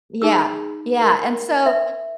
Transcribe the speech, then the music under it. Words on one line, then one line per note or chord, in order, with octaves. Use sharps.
yeah, yeah, and so
D#4 G#4 E6
A#4
E5